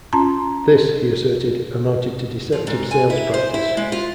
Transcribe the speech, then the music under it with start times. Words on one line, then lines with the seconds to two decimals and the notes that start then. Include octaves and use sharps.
This, he asserted, amounted to deceptive sales practice.
0.13 C#4 F4 A5 A#5 C6
2.52 F3
2.67 G#2
2.91 G#5
3.10 E4
3.34 C5
3.54 E4
3.77 G#3
3.92 F4